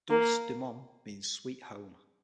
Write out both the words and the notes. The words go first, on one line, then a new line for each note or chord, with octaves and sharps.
'Dulce Domum' means 'Sweet Home'.
A#3